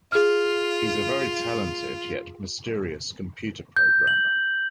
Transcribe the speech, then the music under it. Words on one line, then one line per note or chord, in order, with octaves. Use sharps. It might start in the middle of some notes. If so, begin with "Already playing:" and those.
He's a very talented, yet mysterious computer programmer.
F4 G#4 F6
G6
F#7